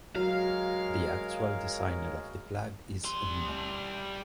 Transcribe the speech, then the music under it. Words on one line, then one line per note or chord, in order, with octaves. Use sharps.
The actual designer of the flag is unknown.
F#3 G#3 A#4 C#5 F5
G3 C6